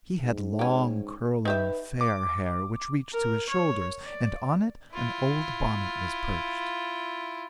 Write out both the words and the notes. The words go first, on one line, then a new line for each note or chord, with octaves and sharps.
He had long, curling, fair hair which reached to his shoulders and on it an old bonnet was perched.
G#2
C#4 G4
D#4 G4 B4 E5
D6
A#4
C#5
D5
E4 F4